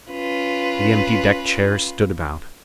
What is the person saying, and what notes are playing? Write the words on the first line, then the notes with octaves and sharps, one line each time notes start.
The empty deck chairs stood about.
C#4 F4 B4